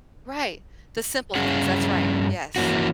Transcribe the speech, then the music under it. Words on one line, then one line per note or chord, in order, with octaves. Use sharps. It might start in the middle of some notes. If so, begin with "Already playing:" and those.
Right, the simple things- that's right, yes.
G2 C#4 G#4 F#5
E3 A#3 C#4 F#4